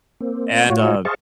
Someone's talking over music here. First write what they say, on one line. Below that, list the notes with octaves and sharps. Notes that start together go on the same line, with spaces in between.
and, uh,
A#3 C4
A2 F4 F#4 C#5
G#4 C5 D#5 F5 A5 C#6